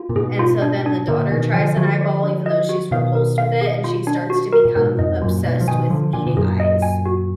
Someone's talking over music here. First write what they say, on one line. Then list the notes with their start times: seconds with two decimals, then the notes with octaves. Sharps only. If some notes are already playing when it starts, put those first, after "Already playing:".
and, so, then the daughter tries an eyeball even though she's repulsed with it, and she starts to become obsessed with eating eyes.
Already playing: F4
0.09 A#2
0.16 G#2 B2 G#4
0.39 F4
0.62 D4
0.86 D4
1.08 A#2 D3 A#4
1.31 B2 D#3 G#5
1.54 D3 F3 G#5
1.76 D3 F3 F#4
2.01 D5
2.23 D4
2.46 D#5
2.69 F#4
2.91 B2 D#3 F5
3.15 A#4
3.38 F5
3.61 G#4
3.84 F4
4.07 D4
4.30 F#4
4.53 A#4
4.65 A#2
4.76 G#2 B2 A#4
4.98 F2 G#2 D#5
5.22 F#2 A#2 F4
5.44 G#2 B2 D5
5.60 F3
5.67 B2 D#3 G#5
5.90 D3 F3 F4
6.13 A#2 D3 G#5
6.27 B2
6.37 F#2 A#2 G#4
6.60 D#5
6.82 G#5
7.05 F#4